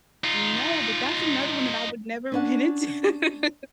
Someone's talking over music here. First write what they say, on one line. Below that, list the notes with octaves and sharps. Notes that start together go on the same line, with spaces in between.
No, but that's another one that I would never w get into.
D#4 F4
C#4 D4 F#5